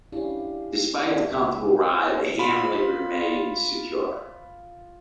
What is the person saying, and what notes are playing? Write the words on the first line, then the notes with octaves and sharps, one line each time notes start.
Despite the comfortable ride, the handling remained secure.
C#4 D4 E4 G4 F5
E5
C#2 B2
F4 B5